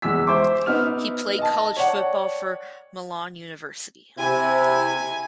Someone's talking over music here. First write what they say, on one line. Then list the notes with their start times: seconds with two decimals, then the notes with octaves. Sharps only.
He played college football for Malone University.
0.02 E2 G#3 E6 B6
0.27 C5 E5 C6 D6
0.66 B3 D#4 F6 F7
1.38 D#5 A5
1.77 C#5 D5 F#5 G5
4.18 C3 E4 G#5